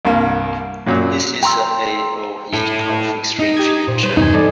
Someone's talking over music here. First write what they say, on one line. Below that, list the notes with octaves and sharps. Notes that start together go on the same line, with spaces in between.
This is the AoE "config string" feature.
C2 G2 A#3
F#2 A#2 F#3
G5 A#5 C6 E6
E4 A4
D#4 D#5
G4 D#6 G#6
A#2 C5
G3 B4 C5
E2 G2 C3 D#4 G#5
B1 E2 A4 D5 D#5